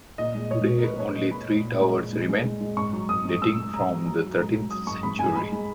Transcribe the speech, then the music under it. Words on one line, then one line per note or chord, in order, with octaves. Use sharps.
Today only three towers remain, dating from the thirteenth century.
A#2 D#5
G#3
G#3 C#5
A#2
A#4
A#2 B4
G#3 C#5
A#2 D#5
A#2 B5
A#2
A#2
G#3
A#2
G#3
G#3
G#3
G#3
G#2 C#6
F#3
G#2 D#6
G#2
G#2 E6
G#2
G#2 A#5
F#3
F#3 A#5
F#3
G#2 A#5
F#3
F#3 D#6
G#2 C#6
G#2 B5
G#2 G#5
G#3 B5
G#3